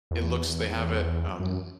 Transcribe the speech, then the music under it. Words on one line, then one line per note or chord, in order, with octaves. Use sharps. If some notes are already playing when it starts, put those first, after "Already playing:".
it looks they have it, um
E2
F#2